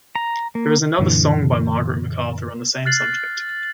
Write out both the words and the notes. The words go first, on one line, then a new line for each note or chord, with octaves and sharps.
There is another song by Margaret MacArthur on the same subject.
A#5
A#3
F#2 A#2 D3 E3
F6 F#6 A6 C7 F#7